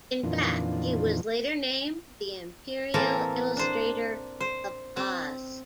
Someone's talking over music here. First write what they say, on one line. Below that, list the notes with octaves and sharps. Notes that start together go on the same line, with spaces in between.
In fact, he was later named the Imperial Illustrator of Oz.
F2 A#2 D#3 E3 D4 F4
A2 E3 A#3 C4 A4 A#4
D4 C5
C5
C4